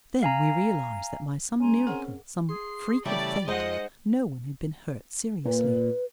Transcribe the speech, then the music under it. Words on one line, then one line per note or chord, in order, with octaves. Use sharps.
Then we realized that by some miracle, some freak of fate, no one had been hurt seriously.
F5 G#5 A#5
G#3 C#4 G#5 A#5 C6
C4 C#4 G#4 A#4 F#5
G#4 C6
C#3 E3 G3 A3 G4 D5
F2 G#3 D#4 C5 D#5 F#5
A#2 B4